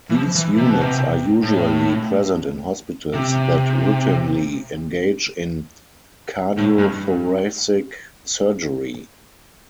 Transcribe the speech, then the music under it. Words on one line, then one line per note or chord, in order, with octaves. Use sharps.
These units are usually present in hospitals that routinely engage in cardiothoracic surgery.
E3
F3
E3
C3
B2
C3
A2
C3
A2
G2